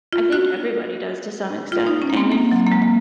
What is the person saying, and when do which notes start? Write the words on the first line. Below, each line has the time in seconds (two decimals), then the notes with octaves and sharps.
I think everybody does to some extent, and if
0.13 F4
0.32 F#4
1.72 F4
1.87 D#4
2.02 C#4
2.10 A#3
2.17 C4
2.32 A#3
2.51 F#3
2.67 A#3
2.72 G#3
2.82 A#3